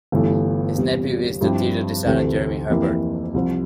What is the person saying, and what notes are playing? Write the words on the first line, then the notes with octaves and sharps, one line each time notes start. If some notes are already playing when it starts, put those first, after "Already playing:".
His nephew is the theatre designer Jeremy Herbert.
G1 G2 E3 A3
E2 C3 G3
G2 F3 C4 E4 G4
D2 C3 E3 A3
F2 E3 A#3 E4 G4
C2 C3 F3